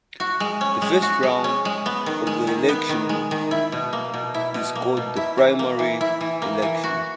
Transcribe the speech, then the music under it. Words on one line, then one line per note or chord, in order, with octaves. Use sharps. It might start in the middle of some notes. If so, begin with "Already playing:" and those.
The first round of the election is called the primary election.
F#4
G#3
C#4
G#3
F#4
G#3
C#4
G#3
B3
D#3
G#3
D#3
B3
D#3
G#3
D#3
E4
B2
A#3
B2
E4
B2
A#3
B2
E4
E3
A#3
E3
E4
E3
A#3
E3
F#4